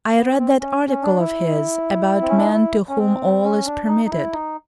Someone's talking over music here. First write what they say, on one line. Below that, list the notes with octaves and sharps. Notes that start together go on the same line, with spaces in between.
I read that article of his about men to whom all is permitted.
B3
C4
C4
C#4
C#4
D4
E4
C4
C#4
D4
D#4
E4
C#4
C4
C#4
D4
D#4
D#4
E4
D#4